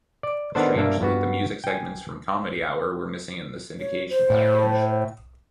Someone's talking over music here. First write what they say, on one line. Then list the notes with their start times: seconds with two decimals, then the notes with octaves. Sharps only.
Strangely, the music segments from "Comedy Hour" were missing in this syndication package.
0.23 D5
0.55 D#3 B3 D4 A4 C5
0.76 G2 A#3 D4 E5
1.01 G2 B3 F#4
1.64 G5 G#5
3.79 C#5
4.09 C5
4.30 A2